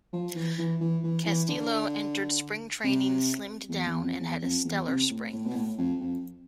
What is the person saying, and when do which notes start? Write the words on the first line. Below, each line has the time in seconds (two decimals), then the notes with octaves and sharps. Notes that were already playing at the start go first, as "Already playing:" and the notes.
Castillo entered spring training slimmed down and had a stellar spring.
0.13 F3
0.36 E3
0.59 E3
0.81 E3
1.04 E3
1.26 E3
1.49 D3
2.84 C3
3.69 E2
3.86 E2
4.02 F2
4.20 E2
4.42 F2
4.65 E2
4.87 C3
5.10 A2
5.33 A2
5.47 B2
5.55 A2
5.78 F2
6.01 F2